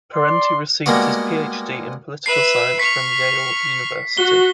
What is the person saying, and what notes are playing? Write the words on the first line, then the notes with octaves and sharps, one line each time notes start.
Parenti received his PhD in political science from Yale University.
D5 C6
G3 G#3 A#3 B3 F#4
B4 E5 C7
C#6 F6 B6
F#4 G7